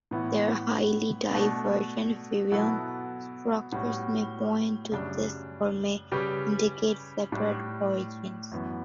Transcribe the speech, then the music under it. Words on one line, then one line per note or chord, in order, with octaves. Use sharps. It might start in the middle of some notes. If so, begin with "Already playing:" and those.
Their highly divergent virion structures may point to this or may indicate separate origins.
A2 E3 B3 E4
B2 A3 D4
B2 F#3 B3 E4 A4
A2 G3 B3 F#4
F#2 C#3 G3 D4
C#3 G3 C#4 G4 B4
A2 G3 D4
F#2 E3 B3